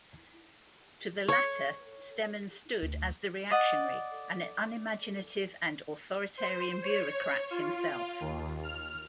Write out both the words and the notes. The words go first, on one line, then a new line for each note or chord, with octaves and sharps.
To the latter Stemann stood as the reactionary, an unimaginative and authoritarian bureaucrat himself.
C#5
D2
D5 D#5 F#5
C5
C#5
F4
D#2
F6